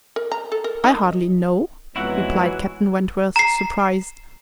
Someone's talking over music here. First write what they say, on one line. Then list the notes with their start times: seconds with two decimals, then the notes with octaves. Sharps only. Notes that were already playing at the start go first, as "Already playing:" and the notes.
"I hardly know," replied Captain Wentworth, surprised.
0.16 A#4
0.32 A#5
0.52 A4
0.64 A#4
0.84 D#4
1.96 F2 E3 F#3 G#3 B3 E4 F#4 F#5
3.36 A#5 C7